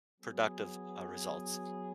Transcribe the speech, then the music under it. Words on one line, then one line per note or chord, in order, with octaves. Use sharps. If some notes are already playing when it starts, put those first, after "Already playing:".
productive, uh, results.
F#3 B3 G#4